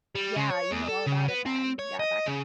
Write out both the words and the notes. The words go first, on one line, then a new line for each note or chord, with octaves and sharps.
yeah, you know all about it then. Yeah, back
G3
C#3
C#5
E2
A4
C#3
B3
C4
C#5
D#5
C#3